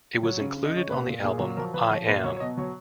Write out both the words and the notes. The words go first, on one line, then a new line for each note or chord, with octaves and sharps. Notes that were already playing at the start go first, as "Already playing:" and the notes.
It was included on the album "I Am".
F#3 C#5
C#3
C#3
D#5
C#3 C#5
A#2 B4
A#2
A#2 G#4
F#3
F3 A#4
F3 B4
F3 C#5
A#2 B4
F#3 C#5
C#5
B2 D#5
F#3 C#5